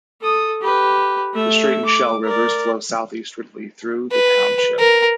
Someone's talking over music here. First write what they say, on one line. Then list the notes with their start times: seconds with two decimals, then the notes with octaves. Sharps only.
The Straight and Shell Rivers flow southeastwardly through the township.
0.21 A4 D#6
0.61 G4 B4
1.34 A3 E5
1.85 D6
2.24 A#4 D5
4.11 B4
4.79 A#4